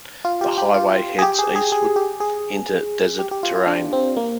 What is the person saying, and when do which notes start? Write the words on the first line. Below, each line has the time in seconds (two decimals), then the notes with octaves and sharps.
The highway heads eastward into desert terrain.
0.25 F4
0.41 G4
0.58 G4
0.74 F4
1.19 G#4
1.22 G4
1.39 G#4
1.56 G#4
1.72 G#4
1.96 G4
2.20 G#4
3.19 G4
3.31 G4
3.43 F4
3.55 F4
3.67 D4
3.93 C4
4.17 A#3